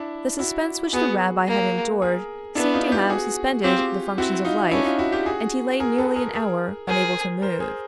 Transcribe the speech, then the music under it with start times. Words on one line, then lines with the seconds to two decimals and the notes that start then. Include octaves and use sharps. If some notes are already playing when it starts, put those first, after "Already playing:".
The suspense which the rabbi had endured seemed to have suspended the functions of life, and he lay nearly an hour unable to move.
Already playing: D4 E4
0.39 E4 F#4
0.93 B3 F#4 G#4
1.48 A#3
2.02 G#4 A#4
2.55 B3 D4 E4
2.74 D#4 F4
2.92 F4 G4
3.10 F#4 G#4
3.64 C4 F4 G4
4.18 C4 E4 F#4
4.45 D#4 F4
4.71 C#4 D4 E4
4.85 D#4 F4
4.99 E4 F#4
5.12 F4 G4
5.26 F#4 G#4
5.80 G#4 A#4
5.98 A4 B4
6.16 G#4 A#4
6.34 G#4 A#4
6.88 G#4 A#4 C5
7.42 A#4 C5
7.60 G#4 A#4